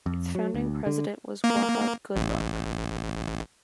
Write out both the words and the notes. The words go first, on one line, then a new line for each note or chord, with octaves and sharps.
Its founding President was Wahab Goodluck.
F2
F#3
D2
D3
A#3
A1